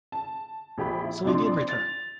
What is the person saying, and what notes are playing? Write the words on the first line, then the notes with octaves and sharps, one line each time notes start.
So he did return!
A5
A#1 G4 B5
E4
F2 A#2 F3 D4 D5 C6
A6 F7